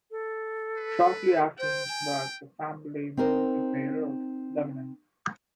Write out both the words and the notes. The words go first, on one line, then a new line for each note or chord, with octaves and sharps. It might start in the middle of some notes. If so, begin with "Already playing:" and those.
Shortly after his birth the family moved to Beirut, Lebanon.
A4
B4
C5 G5
G#5
C4 D#4 A#4 C5